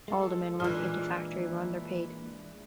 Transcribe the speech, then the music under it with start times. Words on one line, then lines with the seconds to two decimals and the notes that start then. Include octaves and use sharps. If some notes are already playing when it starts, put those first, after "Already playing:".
All the men working at the factory were underpaid.
0.08 G#3 F4 A4
0.60 A#2 E3 G#3 D4 E4 F4